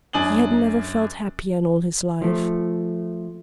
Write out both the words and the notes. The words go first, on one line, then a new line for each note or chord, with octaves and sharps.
He had never felt happier in all his life.
F#2 D4 G#5 D#6 F#7
F3 A3